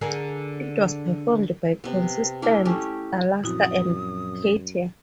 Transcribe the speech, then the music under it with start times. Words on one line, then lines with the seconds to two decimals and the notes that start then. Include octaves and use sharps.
It was performed by contestants Alaska and Katya.
0.01 D3 G#4 A#4
1.84 C3 B3
2.42 A#3 D4 E4
2.65 A3 C#4 G4
3.44 F#2 A#2 F3 C4 E4 F#4 D#6